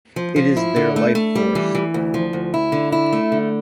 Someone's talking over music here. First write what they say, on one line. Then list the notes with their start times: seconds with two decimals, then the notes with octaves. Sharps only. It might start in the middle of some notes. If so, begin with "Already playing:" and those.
It is their life force.
0.16 F3
0.36 F3
0.57 E4
0.76 D3
0.96 A3
1.15 A3
1.35 G3
1.55 E3
1.75 E3
1.94 D2
2.14 F3
2.33 D2
2.54 E4
2.72 D3
2.92 E4
3.13 A3
3.32 D3